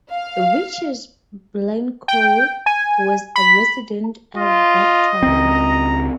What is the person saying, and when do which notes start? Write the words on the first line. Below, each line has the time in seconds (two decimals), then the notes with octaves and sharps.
Richard Blincoe was a resident at that time.
0.11 F5
2.08 G5
2.66 G#5
3.36 B5
4.37 F4 D#5
5.23 C#2 C4 A#5